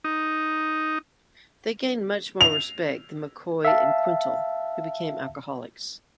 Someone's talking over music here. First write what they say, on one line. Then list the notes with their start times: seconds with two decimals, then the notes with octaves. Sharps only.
They gained much more respect than McCoy and Quintal, who became alcoholics.
0.04 D#4
2.41 F7
3.65 E5 F5 A5